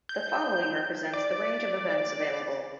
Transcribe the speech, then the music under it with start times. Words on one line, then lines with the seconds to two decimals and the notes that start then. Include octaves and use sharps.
The following represents the range of events available.
0.09 G6
1.13 D5